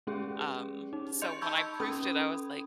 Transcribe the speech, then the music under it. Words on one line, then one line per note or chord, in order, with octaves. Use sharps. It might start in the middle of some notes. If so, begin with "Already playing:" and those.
um, so when I proofed it, I was like,
G#3 C#4 G4 G#4
D#4
D#5 C6 G6 C#7 F7
A5 B5 C#6 E6 G6 G#6
C#4 A4 B5 D#6